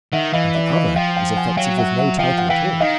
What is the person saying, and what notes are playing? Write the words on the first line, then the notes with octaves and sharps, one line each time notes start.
And the other is effective with no title at all.
D#3 E5 F#5
E3 D#5 F5
D5 E5
D#5 F5
F3 F5 G5
F5 G5
F#5 G#5
F#3 F5 G5
E5 F#5
E5 F#5
F3 F5 G5
F#5
E3 F5 G5
D#3 D#5 F5